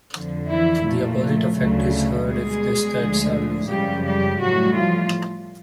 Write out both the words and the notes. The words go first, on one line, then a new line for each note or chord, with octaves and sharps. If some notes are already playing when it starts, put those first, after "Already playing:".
The opposite effect is heard if the studs are loosened.
F2 D3 F3
E3 E4
A#2 F3 A3
D2 C#3 F#3 A3
B2 G3 G#3 G#4
D2 D3 F3 A3
F#2 C#3 F3 G3 G#3 G4
G3 G4
A2 E3 F#3 G3 F#4
F3 F4